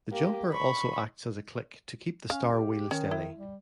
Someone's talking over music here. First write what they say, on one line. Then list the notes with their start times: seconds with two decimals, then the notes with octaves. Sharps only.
The jumper also acts as a click to keep the star wheel steady.
0.12 A#3 G4
0.52 B5 C#6
2.30 C#4 F5
2.53 G4
2.91 D#3 C#4
3.11 E4
3.37 G3